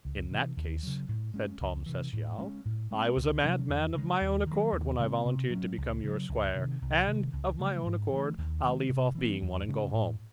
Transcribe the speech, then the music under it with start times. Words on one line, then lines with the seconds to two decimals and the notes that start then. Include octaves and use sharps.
"In that case," said Tom Cecial, "I was a madman of my own accord when I volunteered to become your squire, and, of my own accord, I'll leave off being one and go home."
0.05 C#2
0.31 C3 E3
0.57 D#2
0.83 C#3 F#3
1.09 A2
1.34 G#3 C#4
1.61 C#2
1.86 C3 E3
2.13 A2
2.38 G#3 C#4
2.65 A2
2.91 G#3 C4
3.16 C#2
3.43 C3 F#3 C#4
3.69 E2
3.95 C#3 G#3
4.21 D#2
4.47 D#3 F#3
4.72 D#2
4.99 C#3 G#3 C4
5.25 C3
5.50 F#3 C#4
5.78 C#2
6.03 C#3 F#3
6.29 C#2
6.55 C3 D#3
6.82 C2
7.07 C3 D#3 G#3
7.33 C#2
7.59 C#3 F#3 A3
7.86 G#2
8.12 E3 A3
8.38 D#2
8.64 D#3 G#3
8.89 C3
9.15 E3 C4
9.42 E2
9.68 C#3 G#3 C#4
9.93 A2